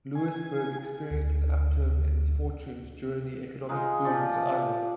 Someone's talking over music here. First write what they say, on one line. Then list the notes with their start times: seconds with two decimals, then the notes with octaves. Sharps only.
Louisburgh experienced an upturn in its fortunes during the economic boom in Ireland.
0.15 G#5
1.11 D2
3.69 G#3 D#4 F4
4.05 F3 G4 D5